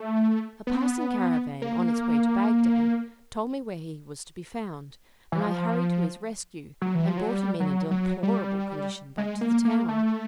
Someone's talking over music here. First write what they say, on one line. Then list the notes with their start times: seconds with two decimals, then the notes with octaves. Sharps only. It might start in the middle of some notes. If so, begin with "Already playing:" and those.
A passing caravan, on its way to Bagdad, told me where he was to be found, and I hurried to his rescue, and brought him in a deplorable condition back to the town.
Already playing: A3
0.67 B3
0.75 C4
0.82 B3
1.62 A#3
5.32 E3
5.40 F3
6.82 F#3
6.95 E3
7.07 F3
7.17 F#3
7.29 G3
7.60 F#3
7.91 F#3
8.23 G3
9.18 G#3
9.41 A#3
9.65 A#3
9.88 A3